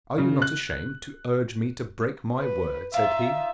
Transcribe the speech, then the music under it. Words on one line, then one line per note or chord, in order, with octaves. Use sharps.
'Are you not ashamed to urge me to break my word?' said he.
C#3
F#6
B4
D#4 F4 E5